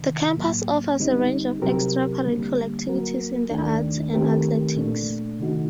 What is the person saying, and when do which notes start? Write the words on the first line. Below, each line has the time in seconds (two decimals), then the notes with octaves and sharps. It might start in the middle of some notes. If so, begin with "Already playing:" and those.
The campus offers a range of extra-curricular activities in the arts and athletics.
Already playing: C2 C3 D#3
0.36 A2 F#3 A#3
0.99 D3 G3 C4 D#4
1.62 C3 F#3 C4 G4 A#4
2.25 D3 G3 A#3
2.88 F#3 A#3 F#4 A#4
3.50 D#2 D#3 A3 D4
4.13 D#3 A3 C4 G4 A#4
4.76 A#2 A3 D4
5.39 C3 D#3 A3 D#4 F#4